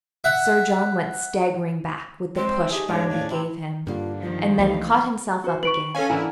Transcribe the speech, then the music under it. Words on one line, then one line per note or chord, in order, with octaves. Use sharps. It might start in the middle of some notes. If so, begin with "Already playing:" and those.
Sir John went staggering back with the push Barnaby gave him, and then caught himself up again.
E5 F#5
G#3 C4
A3 D#4 G4 G#4
D#2 G#2 C#3 G3 D4 C#5
F2 A2 C#3
C3 E4
G2 D3 A#3 F4
D#3 F3 F4
C#2 E3 A3 D#5 F5
F#4 C5
B4 C#6 D7 F#7
C#4 A4 F5 G#5
D3 E3 A#3 E4 G#5